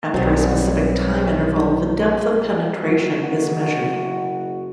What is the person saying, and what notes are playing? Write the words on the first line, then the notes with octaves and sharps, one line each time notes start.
After a specific time interval the depth of penetration is measured.
B1 F#3 G3 C4
F#1 F#4